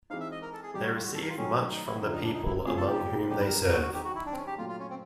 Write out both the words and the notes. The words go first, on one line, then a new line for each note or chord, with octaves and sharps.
They receive much from the people among whom they serve.
E3 G#3 C4 D#4 F5
E5
D#5
A#4
A4
G#4
G#2 D#3 G3 G4
F#4
F4
F#4
A4
A#4
F4
D#3 F#3 A3 C#4
D#4
E4
F#2 D3 F3 E4
D#4
D4
D#4
E4
C#3 F3 A3 C4 F4 G#4
A4
G4
F#2 D#3 G3 B3 D4 G4
B4
A#4
A#4
F#4
F#4
G#2 D#3 G#3 G4
F#4
E4
D4
C4
C#4
G4
A#2 F#3 A3 F4
F4
C#4
C4